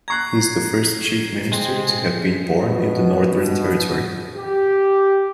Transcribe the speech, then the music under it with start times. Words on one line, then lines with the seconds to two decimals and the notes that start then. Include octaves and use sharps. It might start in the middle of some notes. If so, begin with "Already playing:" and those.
He is the first Chief Minister to have been born in the Northern Territory.
0.08 A#5 C#6 F#6 G#6 C7
1.52 G#3 C4 G#4
2.60 B2
4.36 G4